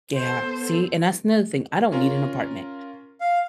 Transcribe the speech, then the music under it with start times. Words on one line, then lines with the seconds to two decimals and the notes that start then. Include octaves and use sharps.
Yeah. See, and that's another thing. I don't need an apartment.
0.15 B3 A4 C5
1.92 C#4 F4 A#4
3.21 F5